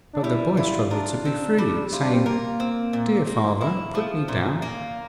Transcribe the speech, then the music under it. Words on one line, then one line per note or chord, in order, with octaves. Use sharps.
But the boy struggled to be free, saying 'Dear father, put me down.
D4
G3 E4
E4 F4
D4 A#4
C4
G3
F4
D4
C4
A#3 A#4
C4
A#2
A#3
E4
F3
A#2
A#3